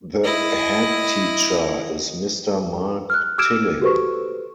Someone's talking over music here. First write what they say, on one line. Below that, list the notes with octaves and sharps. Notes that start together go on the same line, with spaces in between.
The headteacher is Mr Mark Tilling.
E4 D#5
F6 F#6
D6 E6 F6 G#6 D7 E7
F#4 G4 A4 B4 C5 C#6